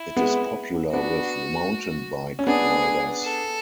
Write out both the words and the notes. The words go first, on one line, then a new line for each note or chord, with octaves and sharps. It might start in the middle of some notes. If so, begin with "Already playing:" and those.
It is popular with mountain bike riders.
Already playing: E4
G#3 B3
B3 D4 F#4
C#4
B3 D4 G#4
A4